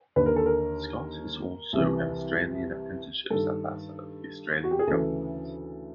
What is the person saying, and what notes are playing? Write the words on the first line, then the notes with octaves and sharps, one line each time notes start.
Scott is also an Australian Apprenticeships Ambassador for the Australian Government.
D#2 D3 B4
A#4
A4
A#4
C2 C3 E3
G2 D#3 A4
F#4
G4
G#4
D2 C#3 E3 A4